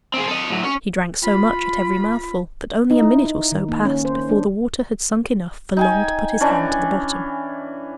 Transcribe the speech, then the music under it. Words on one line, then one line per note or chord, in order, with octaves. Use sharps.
He drank so much at every mouthful, that only a minute or so passed before the water had sunk enough for Long to put his hand to the bottom.
C4 G#4
A4 D#5
A2 F#3
C#4 C#5
F4 B5
D#4
E4
D#4
D#3
A#3
C#4
C5
D4
D#4 G5 G#5
E3 C#4 D4